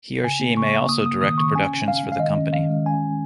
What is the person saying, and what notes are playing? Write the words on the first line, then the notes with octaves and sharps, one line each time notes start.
He or she may also direct productions for the company.
C#3 G#5
A#3
C#3 C#6
C#3
A#3 D#6
A#3 D#6
D#3 D#6
D#3 C#6
C#4 G#5
C#3
C#3 F5
G#3
F5
D#3 D#5
C#4
D#3 F5
G#3
C#4 G#5
C#4